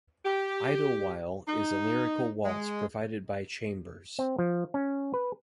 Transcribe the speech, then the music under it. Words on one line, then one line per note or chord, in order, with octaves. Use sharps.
"Idle While" is a lyrical waltz provided by Chambers.
G4
D#4
G#3
C4
F3
C#4
B4